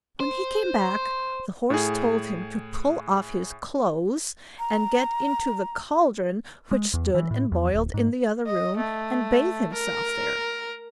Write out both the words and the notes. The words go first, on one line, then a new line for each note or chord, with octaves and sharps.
When he came back, the Horse told him to pull off his clothes and get into the cauldron which stood and boiled in the other room, and bathe himself there.
C5
A2 G#4
A#5
G#3
E2
E3
A2
E2
D1
G#2
D#5
A3
A#4